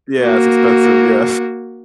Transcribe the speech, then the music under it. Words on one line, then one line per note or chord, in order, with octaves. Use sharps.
Yeah, it's expensive. Yeah.
A#3 F#4